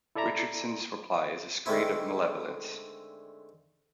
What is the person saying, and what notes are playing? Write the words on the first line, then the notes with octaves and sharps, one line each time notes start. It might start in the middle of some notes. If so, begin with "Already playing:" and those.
Richardson's reply is a screed of malevolence.
E4 A4 D5 E5 A#5
D3 D#3 G#3 A3 C4 E4